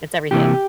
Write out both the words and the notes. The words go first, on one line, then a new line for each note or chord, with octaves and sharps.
it's everything.
C3 E3 A#3 E4 G4